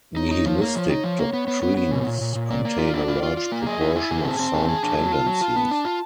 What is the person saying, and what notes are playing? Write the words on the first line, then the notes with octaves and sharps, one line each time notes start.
Nihilistic doctrines contain a large proportion of sound tendencies.
D#4 C#5
D#4
F3
A#3
F3
D#4
F3
A#3
B3
B3
B3
B3
A#2
A#2
A#2
A#2
A#3 D5
A#3
F4
D4
F4
F4
F4
A#3
G#4 D#5
E4
E4 G#5
G#4
C4 A5
C4
G#4
G#4
D4
F#3
F4
F#3
F4
B3
D4
F4